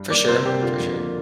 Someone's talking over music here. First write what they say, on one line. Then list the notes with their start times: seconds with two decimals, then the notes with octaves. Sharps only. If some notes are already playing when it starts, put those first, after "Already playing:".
For sure, for sure.
Already playing: G2
0.10 A#3 D5
0.28 C3 C5
0.45 A#3 G4
0.62 D3 F4
0.80 F2
0.97 A#3